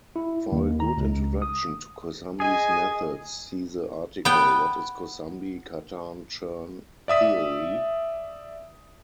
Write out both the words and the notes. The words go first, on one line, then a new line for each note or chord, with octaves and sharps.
For a good introduction to Kosambi's methods, see the article, What is Kosambi-Cartan-Chern theory?
E4
D#2
A#5
C#2
D#6
G#4 D#5 G#5
B3 G5
D5 E5 D#6 B6